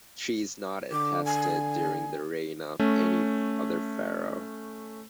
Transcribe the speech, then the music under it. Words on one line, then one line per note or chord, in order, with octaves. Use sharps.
She is not attested during the reign of any other pharaoh.
D3 D6
G#5
A3 C#4